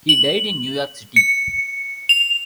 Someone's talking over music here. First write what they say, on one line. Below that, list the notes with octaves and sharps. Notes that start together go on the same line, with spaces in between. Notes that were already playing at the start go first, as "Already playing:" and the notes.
He died in New York City.
F#7
C#7
F7